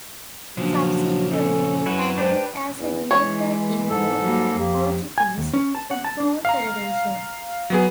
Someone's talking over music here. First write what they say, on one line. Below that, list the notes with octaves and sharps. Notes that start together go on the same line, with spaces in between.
Subsequently, he acted as a director in the Portuguese Football Federation.
A#2 C#3 F3 F#3 D4
C#4 A4
F#2 E4 F#4 B4
G#3 D4 G4 B4 C5
E2
E3 G#3 C#5
G#2 A4
F#3 G3 A#3
F2 A#3 G4
G#5
D#2
C#4
A5
F#5
A5
D4
F5 A#5
F#3 B3 G#4